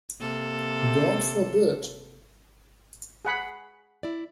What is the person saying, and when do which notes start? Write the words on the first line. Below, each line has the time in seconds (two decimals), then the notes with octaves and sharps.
God forbid!
0.19 C3 A#3 A4
3.25 G#4 F#5 B5
4.03 E4 D5